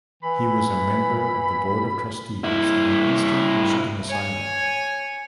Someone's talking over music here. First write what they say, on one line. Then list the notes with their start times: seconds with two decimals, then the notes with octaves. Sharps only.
He was a member of the board of trustees of the Eastern Michigan Asylum.
0.23 E3 B5
2.44 G2 E4
4.08 C#5 G#5